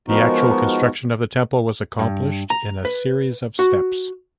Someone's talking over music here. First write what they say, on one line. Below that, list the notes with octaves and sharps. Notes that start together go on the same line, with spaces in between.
The actual construction of the temple was accomplished in a series of steps.
F3 G#3 B3 D#4 F#4 A#4
G2
A#5
B4
F#4